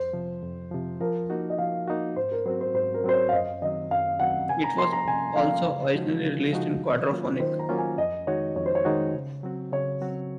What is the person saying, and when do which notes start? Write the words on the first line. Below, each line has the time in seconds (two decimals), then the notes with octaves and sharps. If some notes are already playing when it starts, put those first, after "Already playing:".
It was also originally released in quadrophonic.
Already playing: F2 C5
0.13 C3 F3
0.42 F2
0.71 C3 F3
1.00 F3 A#4
1.30 A#3 D#4 F#4
1.50 D#5
1.58 F3 F5
1.88 A#3 D#4 F#4
2.16 G#2 C5
2.32 A#4
2.46 F#3 C4 F#4 C5
2.61 C5
2.75 G#2 C5
2.94 A#4
3.04 F#3 C4 F#4 C5
3.13 C#5
3.29 F5
3.33 F#2 D#5
3.62 D#3 F#3 C4 D#5
3.91 F#2 F5
4.20 D#3 F#3 C4 F#5
4.49 C3 G#5
4.64 A#5
4.78 F3 A#3 C#4 C6
4.93 A#5
5.07 C3 G#5
5.36 F3 A#3 C#4 F5
5.65 C#3
5.94 F3 G#3 D#4 F#4
6.23 C#3
6.53 F3 G#3 D#4 F#4
6.82 D#3
7.10 F#3 A#3 C#4 F4
7.40 D#3 C5
7.59 A#5
7.69 F#3 A#3 C#4 F4
7.78 G#5
7.98 F2 D#5
8.27 D#3 G#3 D#4 F#4 C#5
8.56 F2 C#5
8.66 C5
8.75 C#5
8.85 D#3 G#3 D#4 F#4
9.15 C#3
9.43 F#3 C4 F#4
9.72 C#3 C#5
10.01 F#3 C4 F#4